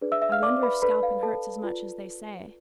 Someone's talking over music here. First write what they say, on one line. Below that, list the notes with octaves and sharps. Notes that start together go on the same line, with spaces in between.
I wonder if scalping hurts as much as they say.'
D4 G#4 B4 D5
E5 E6
E5 E6
F5 F6
D5 D6
B4 B5
D4 A4 B4 D5 B5
F5
A4 A5
F4 B4 D5